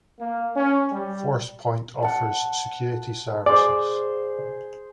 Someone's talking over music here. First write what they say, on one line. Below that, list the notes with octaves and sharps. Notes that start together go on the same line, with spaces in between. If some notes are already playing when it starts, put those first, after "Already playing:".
Forcepoint offers security services.
A#3
C#4
G3
F#5 A5
G#4 C5 D5